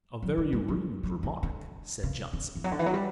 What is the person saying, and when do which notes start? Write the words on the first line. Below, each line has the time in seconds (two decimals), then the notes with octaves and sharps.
"A very rude remark," said Johnson.
0.22 F#3
0.38 G3
0.53 G3
0.68 F#3
1.03 F#3
1.23 E3
1.43 D3
2.03 C#3
2.33 D3
2.55 E3
2.64 F#3
2.72 D3
2.79 E3
2.86 F#3
2.94 G3